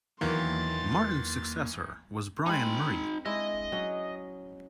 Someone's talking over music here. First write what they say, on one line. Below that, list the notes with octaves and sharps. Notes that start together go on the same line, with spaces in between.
Martin's successor was Bryan Murray.
E2 D#3 E3 F#3 A#3 C6 A6
G#3 C4 D#4 B5
G#3 D4 E4 D#5
F#3 C#4